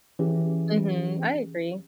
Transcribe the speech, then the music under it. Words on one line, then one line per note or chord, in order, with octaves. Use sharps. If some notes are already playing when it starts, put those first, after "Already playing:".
Mhm. I agree.
E3 C#4 G4 G#4